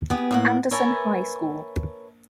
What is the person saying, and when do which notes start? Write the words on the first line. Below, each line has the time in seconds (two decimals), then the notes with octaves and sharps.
Anderson High School.
0.10 B3 G4 G#4
0.31 A2 A#3 F#5
0.71 A#4 B4 C#5 E5 G#5 A5